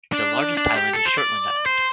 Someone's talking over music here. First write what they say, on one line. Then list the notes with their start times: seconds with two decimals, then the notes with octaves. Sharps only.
The largest island is Shortland Island.
0.12 D4
0.57 D4
0.76 G4
0.93 A4
1.06 C5
1.18 D5
1.66 C5